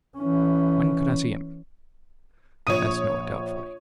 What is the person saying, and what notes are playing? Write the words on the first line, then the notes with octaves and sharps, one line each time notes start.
'When could I see him?' asked Noah doubtfully.
E3 C#4
A#1 C#5 D#6 D#7